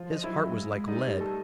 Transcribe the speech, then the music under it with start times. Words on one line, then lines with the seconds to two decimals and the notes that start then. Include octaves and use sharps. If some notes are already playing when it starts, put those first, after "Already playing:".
His heart was like lead.
Already playing: F3 F4
0.12 D#5
0.23 F#3 E4 E5
0.55 G#3
0.88 G3 D#4 D#5
1.20 A3 A4